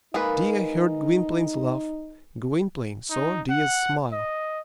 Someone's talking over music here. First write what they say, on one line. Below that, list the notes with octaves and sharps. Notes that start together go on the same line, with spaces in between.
Dea heard Gwynplaine's laugh; Gwynplaine saw Dea's smile.
G#3 A#3 D#4 F4 G#4 B4
D#4
F#5
D#5